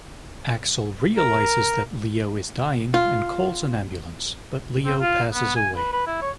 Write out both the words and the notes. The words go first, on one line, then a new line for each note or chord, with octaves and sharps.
Axel realizes that Leo is dying and calls an ambulance but Leo passes away.
A#4
F4
C4
F4
B3
G#5
B4
B4
E4
C#5